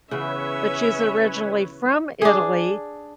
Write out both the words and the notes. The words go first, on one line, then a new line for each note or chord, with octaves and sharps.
but she's originally from Italy,
C#3 E3 B3 C#4 B4 C#5 E5
D4 G#4